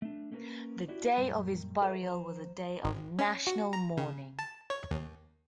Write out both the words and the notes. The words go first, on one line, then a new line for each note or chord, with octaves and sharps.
The day of his burial was a day of national mourning.
A3 D4
A3 A#3 C#4 G4 A#4 B4
E4 F#4 G4 D5
F#2 A#2 G3 A#5
F4 G#4 A4 B4 C#5 E5
F3 C5 A#5
G#1
C#4
F#4
A#5
C#3
A5
C#5
D#2